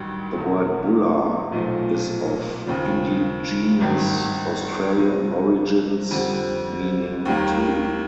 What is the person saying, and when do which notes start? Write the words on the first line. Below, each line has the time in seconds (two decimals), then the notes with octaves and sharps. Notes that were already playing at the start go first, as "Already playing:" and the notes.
The word Bulla is of indigenous Australian origins meaning 'two'.
Already playing: A1 G2 D#3 F#3
0.36 E2 B2 F#3
1.52 B1 A#2 F3 A3
2.66 D#2 C#3 F3
3.81 G#1 G2 D#3
4.95 F2 C3 F3
6.11 F2 D3 G3 C4
7.25 D#2 D#3 G3 A#3